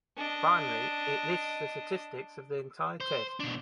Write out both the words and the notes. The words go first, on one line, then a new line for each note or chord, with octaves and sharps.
Finally, it lists the statistics of the entire test.
D4 D#5
C5
B2 D4